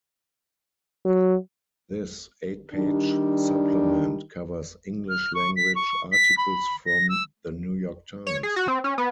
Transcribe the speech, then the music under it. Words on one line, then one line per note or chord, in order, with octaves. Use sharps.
This eight-page supplement covers English-language articles from "The New York Times".
F#3
D#3 G3 D4
F6
C#6
B6
C#6
B6
B5
A#6
E6
C#5
G#4
F#4
C4
C#4
B3